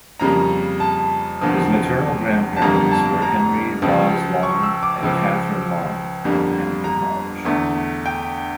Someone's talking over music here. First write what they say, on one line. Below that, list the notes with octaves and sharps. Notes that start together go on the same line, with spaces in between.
His maternal grandparents were Henry Lawes Long and Catharine Long of Hampton Lodge.
F2 C#3 G3 A#3 A#5
A5
F1 E2 D3 F3 A#3
A5
G1 F2 D3 G3 A#3 A#5
A5
A#5
C#2 C#3 F3
C#6
E6
D6
C#2 C#3 F3
G1 F2 D3 G3 A#3
A#5
E2 D3 A3
G5